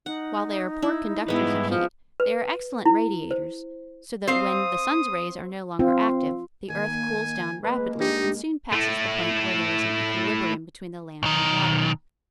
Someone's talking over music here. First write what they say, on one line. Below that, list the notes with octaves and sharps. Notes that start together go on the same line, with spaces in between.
While they are poor conductors of heat, they are excellent radiators, so that when the sun's rays are no longer active the earth cools down rapidly and soon passes the point where there is an equilibrium between the land and water.
D#4 F#5
E4
G#2 G3 G#3 B3 E4 B4
F3 F5
B4
E4
C5
C4 C5 F5 D#6
C4 F4
D#3 A#3 G#5
G#3 A#3 B4
D4 D#4 G4
A3 E4
B1 D#3